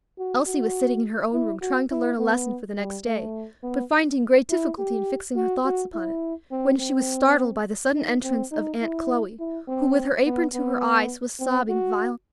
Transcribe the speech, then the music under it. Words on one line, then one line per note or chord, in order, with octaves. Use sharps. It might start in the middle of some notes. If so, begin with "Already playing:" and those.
Elsie was sitting in her own room, trying to learn a lesson for the next day, but finding great difficulty in fixing her thoughts upon it, when she was startled by the sudden entrance of Aunt Chloe, who, with her apron to her eyes, was sobbing violently.
F#4
F#4
E4
F#4
E4
B3
G3
A3
B3
E4
G4
F#4
F#4
E4
C4
C4
D#4
C4
D#4
E4
E4
C4
B3
B3
C4
F#4